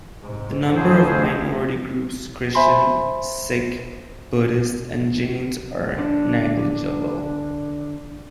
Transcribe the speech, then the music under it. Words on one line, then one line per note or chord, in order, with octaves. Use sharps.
The number of minority groups - Christian, Sikh, Buddhist and Jains - are negligible.
G#2 C3
F2 A2 F3 F#3 G#4 C5
C5 E5 G#5 B5 C6
D3 D4